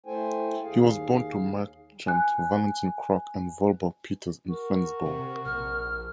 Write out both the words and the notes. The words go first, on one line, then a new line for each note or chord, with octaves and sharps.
He was born to merchant Valentin Krock and Volborg Peters in Flensborg.
A3 E4 A4 C5 G5 G#5
D#2 G#4 F5
G#5 F#6
F#4 A#4
C3
A#1 F6